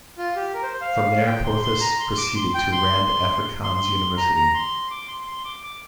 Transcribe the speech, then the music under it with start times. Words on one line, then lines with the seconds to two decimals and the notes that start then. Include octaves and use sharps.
From there Pothas proceeded to Rand Afrikaans University.
0.18 F4
0.36 G4
0.54 A#4
0.63 C5
0.73 C5
0.81 F5
1.26 G5
1.45 C6
1.62 C6
1.81 A#5
2.00 C6
2.17 D6
2.36 C6
2.54 G5
2.72 C6
3.63 C6
4.17 A#5
4.36 A#5
4.54 C6
4.91 D6
5.08 C6
5.26 C6
5.45 D6
5.63 D6